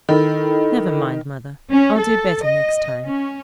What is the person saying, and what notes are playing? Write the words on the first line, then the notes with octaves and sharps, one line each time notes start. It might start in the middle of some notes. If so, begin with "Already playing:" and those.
'Never mind, Mother; I'll do better next time.'
D#3 E4 A4 B5
C#4
A4
D#5
C#4